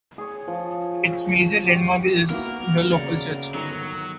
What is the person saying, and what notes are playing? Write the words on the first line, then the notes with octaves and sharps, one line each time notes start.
Its major landmark is the local church.
G#4 C#5
F3
F#4 G4
A#3 B3 E4 F#4 A#4
C#3 D5 C#6
G1 D#3 F#3 D#5 A#5 C#7